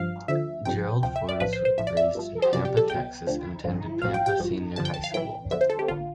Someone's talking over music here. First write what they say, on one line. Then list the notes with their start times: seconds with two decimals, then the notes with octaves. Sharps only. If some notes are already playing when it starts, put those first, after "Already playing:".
Gerald Ford was raised in Pampa, Texas and attended Pampa Senior High School.
Already playing: G1 G2 F3 F5
0.28 D2 D3 F3 E5
0.65 G1 F2 C3 F3 G5
1.03 D2 C3 F3 G5
1.16 E5
1.29 D5
1.40 B1 A2 F3 B4
1.53 C5
1.65 C5
1.78 A1 A2 F3 E5
1.87 D5
1.97 E5
2.15 G1 G2 F3
2.42 C5
2.53 C2 C3 F3 D5
2.65 G4
2.77 A4
2.90 C2 B2 G5
3.27 D2 D3 F3
3.64 A1 G2 D3 F3
4.01 B1 A2 F3 F5
4.14 G5
4.26 G5
4.39 A1 G2 F3
4.76 G1 G2 D3 F3 A5
4.85 G5
4.94 A5
5.04 F5
5.14 B1 A2 E3 G5
5.51 E2 D3 F3 E5
5.61 C5
5.70 A4
5.79 G4
5.88 A1 D3 F4